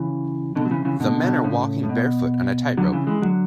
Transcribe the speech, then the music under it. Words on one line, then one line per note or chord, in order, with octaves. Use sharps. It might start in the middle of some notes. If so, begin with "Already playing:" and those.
The men are walking barefoot on a tightrope.
Already playing: C#3 E3
B2 D3
F#3
C#3 E3
C#3 E3
B2 D3
B2 D3
B2
A2 C#3
A2
B2
D3 F#3
C#3 E3
E3 G#3
D3 F#3